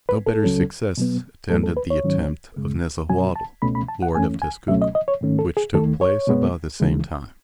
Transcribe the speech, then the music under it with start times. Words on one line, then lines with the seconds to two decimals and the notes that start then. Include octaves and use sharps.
No better success attended the attempt of Nezahuatl, lord of Tezcuco, which took place about the same time.
0.09 B4
0.26 A4
0.44 C#2 C#3 F#3 C#4
0.97 B2 F#3 B3
1.50 G#2 F#3 A3 A4
1.64 A4
1.77 B4
1.90 C#5
2.03 G#2 D#3 F#3 C#4
2.56 F#2 C#3 G#3
3.09 B2 F#3 C#4 G#5
3.36 A5
3.62 C#2 B2 A3 C#4 B5
3.75 B5
3.89 A5
4.02 F#5
4.15 F#2 E3 A3 C#4 G#5
4.42 G#5
4.68 C#2 B2 F#3 A3 C#4 E5
4.82 D#5
4.95 D#5
5.08 C#5
5.21 G#2 D#3 A3 C#4
5.39 A4
5.57 G#4
5.74 D#2 D#3 A3 A4
6.01 C#5
6.27 B2 G#3 B3
6.80 D#2 C#3 E3 G#3